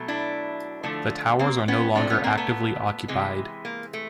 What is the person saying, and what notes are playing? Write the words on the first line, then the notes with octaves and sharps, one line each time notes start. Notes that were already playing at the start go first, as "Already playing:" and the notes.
The towers are no longer actively occupied.
Already playing: B2 F#3 A3
D4 E4
D3 F3 A3
A#3 C4
B3 C#4
A#2 F3 A3 C4 D4
B3 C#4
A#3 C4
A3 B3
C3 E3 G#3
A#3
A3